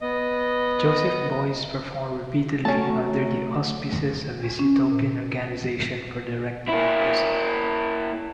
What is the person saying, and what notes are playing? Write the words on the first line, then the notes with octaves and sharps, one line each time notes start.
Joseph Beuys performed repeatedly under the auspices of his utopian Organization for Direct Democracy.
B3 D#5
F#3 A3 C#4 A5
C#4
A#2
A#3 E4